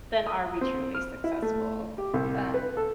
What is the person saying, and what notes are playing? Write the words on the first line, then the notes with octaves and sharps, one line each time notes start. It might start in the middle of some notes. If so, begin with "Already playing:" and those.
then are we truly successful? And
D#6
C4
F6
E4
A3
G4
C2
B4
A4